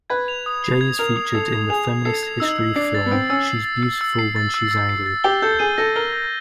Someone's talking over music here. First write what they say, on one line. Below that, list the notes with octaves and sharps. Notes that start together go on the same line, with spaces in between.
Jay is featured in the feminist history film "She's Beautiful When She's Angry".
B4 G#6
F7
D#6
C7
G#6
A#4 F7
D#6
A4 C7
G#6
G#4 F7
D#6
A4 C7
G#6
D#4 E6
E6
D4 C7
A6
B3
C4 E6
C#4 E6
C7
A6
E6
E6
C7
A6
E6
E6
C7
A6
G4 G7
A4 G6
G#4 D#7
A4 A#6
A#4 G7
G6